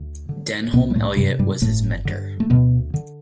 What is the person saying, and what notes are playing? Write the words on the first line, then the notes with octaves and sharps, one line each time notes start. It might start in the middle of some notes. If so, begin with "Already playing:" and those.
Denholm Elliott was his mentor.
Already playing: D2
D3
C2 B2 B3
G3
A2 A3
G2 C3 G3
G2 G3
G1 A2 A3
G2 D3
A3
D2 B2 B3
D3